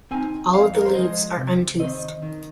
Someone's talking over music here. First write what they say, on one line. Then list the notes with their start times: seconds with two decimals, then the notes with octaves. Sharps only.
All of the leaves are untoothed.
0.11 C4 D#4 G#5
0.53 F2 F5
0.75 A#4
0.86 C5
0.95 F3 G#3 D#5
1.37 C3
1.79 D#3 C4 D#5
2.22 D#3